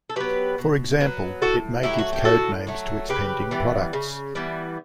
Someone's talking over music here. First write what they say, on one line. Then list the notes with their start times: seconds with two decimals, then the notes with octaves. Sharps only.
For example, it may give code names to it's pending products.
0.10 A4
0.16 F#3 B3 G4 B4
0.58 B2
1.01 F#3 B3
1.42 A2 F#4 A4
1.83 F#3 A3 E4 G4
1.99 F#4
2.13 G4
2.25 A2 F#4 A4
2.67 F#3 A3
3.09 C#3 G4 B4
3.51 E3 G3 B3
3.93 C#3
4.35 E3 G3 B3